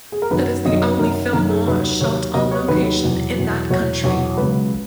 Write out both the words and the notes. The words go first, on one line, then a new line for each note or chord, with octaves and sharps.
It is the only film noir shot on location in that country.
G#4
A#4
F#2 D#3 F#3 B4
F#2 D#3 F#3 D#5
F#2 D#3 F#3 A#4
F#2 D#3 F#3 A#4
G#4
D#2 D#3 F#3 B4
D#2 D#3 F#3 C#5
D#2 D#3 F#3 D#5
C#5
D#2 D#3 F#3 B4
E2 B2 F#3
E2 B2 F#3
E2 B2 F#3 C#5
E2 B2 F#3 C#5
C#2 C#3 F#3 B4